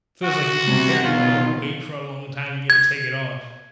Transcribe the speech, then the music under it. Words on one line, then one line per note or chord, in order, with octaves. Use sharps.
feels like you've been carrying a lotta weight for a long time and you get to take it off.
F#4
C3 G3
B2 D#3 F4
G#6